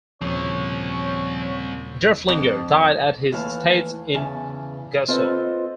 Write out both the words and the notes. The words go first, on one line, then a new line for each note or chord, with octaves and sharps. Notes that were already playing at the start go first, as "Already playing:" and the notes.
Derfflinger died at his estates in Gusow.
D#2 A#2 C#3 F3 G3 C4 C#5
F2
D#2 E3 A3 F5 A5
E2 C#3 E3 G#5 A5
C4 F4 A4 B4 C5 D#5